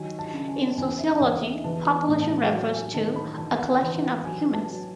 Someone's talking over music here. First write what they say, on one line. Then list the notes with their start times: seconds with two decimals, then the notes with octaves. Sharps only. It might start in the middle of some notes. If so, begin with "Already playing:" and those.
In sociology, population refers to a collection of humans.
Already playing: D#3 F#3 G#5
0.19 A5
0.34 C#3
0.48 G#5
0.77 E2 G#5
0.99 E5
1.14 D#5
1.20 E2 E5
1.42 E5
1.64 E3 A5
2.08 A2
2.22 A5
2.51 F#3
2.73 G#5
2.94 D#3 A5
3.16 B5
3.38 E3 A5
3.57 F#5
3.67 G#5
3.81 E3
3.95 F#5
4.25 F#3 G#5
4.54 A5
4.68 F#3